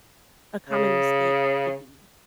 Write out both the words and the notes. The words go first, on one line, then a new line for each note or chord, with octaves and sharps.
a common mistake could be
C#3